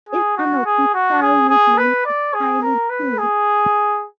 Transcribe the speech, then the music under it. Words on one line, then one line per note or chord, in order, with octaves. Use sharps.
Its unofficial nickname is "Shiny Two".
G#4
F#4
G#4
F#4
G#4
G#4
B4
D5
G#4
A#4
B4
G#4